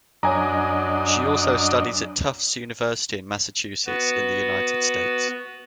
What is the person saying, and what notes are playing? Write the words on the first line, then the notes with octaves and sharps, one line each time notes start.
She also studied at Tufts University in Massachusetts in the United States.
F#2 D4 C#5 D#5 G#5 A#5
B3 F#4 B4